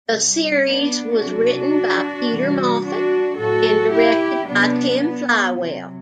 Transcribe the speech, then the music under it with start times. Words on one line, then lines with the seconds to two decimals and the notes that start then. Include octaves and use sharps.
The series was written by Peter Moffat and directed by Tim Fywell.
0.11 C3 G3
0.65 B3 D4
1.20 C3 F#3 D4 F#4
2.29 C3 E3 G3
2.83 D4 F#4
3.37 A2 F#3 F#4 A4
3.92 E4 G4
4.46 C3 F#3 B3 D4
5.01 B3
5.56 C3 F#3